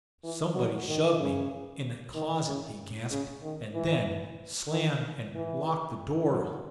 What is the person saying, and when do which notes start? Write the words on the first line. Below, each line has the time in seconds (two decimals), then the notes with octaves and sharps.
"Somebody shoved me--in that closet," he gasped, "and then--slammed and--locked--the door."
0.24 E3
0.55 F#3
0.88 D#3
1.20 C#3
2.15 D#3
2.48 C#3
3.11 C#3
3.42 D#3
3.74 E3
4.71 D#3
5.35 E3
6.30 F#3